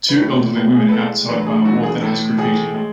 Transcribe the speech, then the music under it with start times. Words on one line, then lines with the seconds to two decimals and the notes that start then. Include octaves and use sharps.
Two elderly woman outside by a wall that has graffiti.
0.09 B4
0.19 A2 E3 A3 C#5
0.56 A2 G#3 B4
0.74 G#4
0.89 B4
0.92 A2 G#3 A4
1.29 E2 D3 F#3 A3 B4
1.47 G#4
1.65 E2 D3 F#3 A3 F#4
1.83 G#4
2.02 A2 E3 A3 A4
2.38 A2 E3 A3 G#4
2.74 G#3